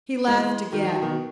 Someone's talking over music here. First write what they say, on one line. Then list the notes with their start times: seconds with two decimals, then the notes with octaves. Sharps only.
He laughed again.
0.27 E3 G#3
0.72 D#3 F#3
0.87 D#3 F#3
1.01 B2 D#3